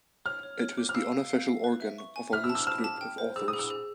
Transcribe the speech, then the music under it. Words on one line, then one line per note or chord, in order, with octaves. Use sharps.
It was the unofficial organ of a loose group of authors.
C#5 F6
C#5
C#5
D6
F6
F5 E6
F5
F5
F5
B4
E5
C#6
G#5
E5 F6
E6
A5
E6
A5 F6
A5
G5
C5
G#4 E6
D#6
G#4
E6
G#4